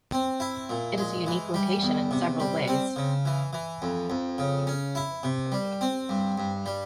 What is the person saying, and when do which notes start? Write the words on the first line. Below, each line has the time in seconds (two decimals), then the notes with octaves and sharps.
It is a unique location in several ways.
0.13 C4
0.40 E4
0.69 A#2
0.98 G#3
1.26 E3
1.54 G3
1.83 E2
2.11 C3
2.40 G3
2.68 C4
2.96 C#3
3.25 E3
3.53 E3
3.82 F2
4.10 F2
4.38 C#3
4.67 C#4
4.95 E4
5.23 C3
5.52 G3
5.81 C4
6.09 G2
6.38 G2
6.66 G3